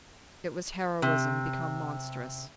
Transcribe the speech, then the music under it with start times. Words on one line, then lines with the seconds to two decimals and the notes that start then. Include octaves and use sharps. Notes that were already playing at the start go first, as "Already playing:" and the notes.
It was heroism become monstrous.
1.02 C3